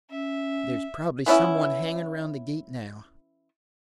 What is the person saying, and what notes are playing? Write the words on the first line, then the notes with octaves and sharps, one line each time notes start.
There's probably some one hanging around the gate now.
C#4 E5
E3 B3 C#4 E4